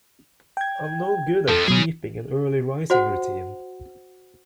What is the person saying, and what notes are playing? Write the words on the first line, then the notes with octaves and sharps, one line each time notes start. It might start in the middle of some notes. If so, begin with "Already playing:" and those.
I'm no good at keeping an early rising routine.
G5 G#6
F2 F3 A4
B2 F#3 C#4 G#4
F#4 C5 F#5